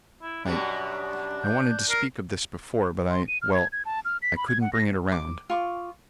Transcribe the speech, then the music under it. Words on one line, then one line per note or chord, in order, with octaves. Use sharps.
I--I wanted to speak of this before, but I--well, I couldn't bring it around.
E4
F#2 B2 G3 D4
G6
A#4 C7
C6
D#7
F6
G#6
G#6
A5
F6
B6
B5
G#6
F#5
A#6
D6
F4 C#6 D6